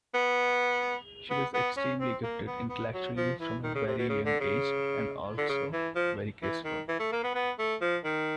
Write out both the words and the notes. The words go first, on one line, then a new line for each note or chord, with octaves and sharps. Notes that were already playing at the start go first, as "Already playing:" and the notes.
She was extremely gifted intellectually from a very young age and also very graceful.
B3
B3
B3
C#4
C4
A#3
B3
B3
F#3
F3
E3
D#3
C#3
C3
B2
C#3
D3
C#3
D3
C#3
E3
F3
E3
D#3
E3
A3
A#3
B3
B3
A3
F3
D#3